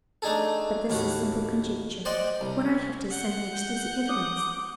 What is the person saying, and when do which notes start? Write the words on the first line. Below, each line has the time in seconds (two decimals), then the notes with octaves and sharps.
But this is simple conjecture; what I have to say next is evidence.
0.22 A3 D4 D#4 G#4 A4
0.90 D#2 A2 F#4
2.05 C5 D5 D#5 F#5 G5
2.41 C2
3.10 F#5 G6
4.09 D6 D#6